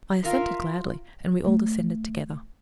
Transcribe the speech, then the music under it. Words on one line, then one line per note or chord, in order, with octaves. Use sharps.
I assented gladly, and we all descended together.
F4 A#4 E5 F5
A3